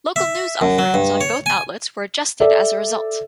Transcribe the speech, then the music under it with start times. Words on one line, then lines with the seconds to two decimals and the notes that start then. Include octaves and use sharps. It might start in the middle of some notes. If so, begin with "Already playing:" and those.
Local news offerings on both outlets were adjusted as a result.
0.16 E5
0.61 F#2
0.79 F#3
0.94 G2
1.21 C#5
1.46 G#5
2.40 A4 D5 E5